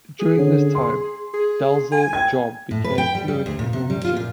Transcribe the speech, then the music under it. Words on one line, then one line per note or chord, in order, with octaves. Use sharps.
During this time Dalzel-Job became fluent in Norwegian.
G#4
D3 C#4
C6
G#4
G#5
G5 G#6
A2
B4
G5
G3
G3
D2
A#2
C3
G3
F4
A#2